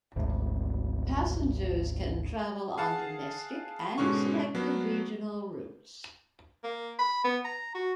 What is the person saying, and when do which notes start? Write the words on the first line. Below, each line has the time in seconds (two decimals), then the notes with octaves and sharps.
Passengers can travel on domestic and selected regional routes.
0.16 G#1 D2
2.77 G#4 F5 F#5 A5
3.98 G#2 B2 D3 G#3 C#4 C#6
4.55 F#3 A#3 B3 D4
6.64 A#3
6.99 B5
7.24 B3
7.45 A#5
7.75 F#4